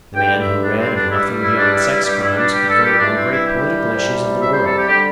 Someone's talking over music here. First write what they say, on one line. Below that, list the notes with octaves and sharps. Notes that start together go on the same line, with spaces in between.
The man who read of nothing beyond sex crimes could vote on the great political issues of the world.
G2 D3 G3 G5
E5
D4
C4
D4
G2 G3 E4
E4
D4
E4
E4
G2 G3 G4
E4
D4
G4
A4
G4
G2 E3 G3 D4
C4
E4
G4
C2 C3 G3
E5
C5
A4
G4
D3 G3 G4